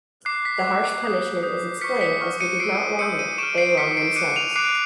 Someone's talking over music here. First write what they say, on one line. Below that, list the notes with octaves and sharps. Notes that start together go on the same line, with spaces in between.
The harsh punishment is explained as We did not wrong them; they wronged themselves.
D6 F#6 C7
B6
D6 F#6
C7
D#6 G6
D#6 G6
C#6 F6 B6 C#7
B6 C#7
C#6 F6
C#7 D#7
C#6 E6 G6 C7 D7
C#6 E6 G6 C#7 D#7
C#7 D#7
C#6 F6 D7 E7
C7 D7
C#6 F6 B6 C#7
C7 D7
D6 F#6 C#7 D#7
D#7 F7
D#7
D6 F#6 C7 D7